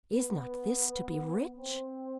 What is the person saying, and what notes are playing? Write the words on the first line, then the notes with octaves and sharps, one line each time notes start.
Is not this to be rich?
B3
C4